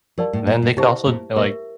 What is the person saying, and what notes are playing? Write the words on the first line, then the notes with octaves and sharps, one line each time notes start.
then they could also d like
F3 G4 A#4 D5 F5 A5
A2
A#2
A#2
C3 E4 G4 C5 E5 A5
A#2
A#2 G4 A#4 E5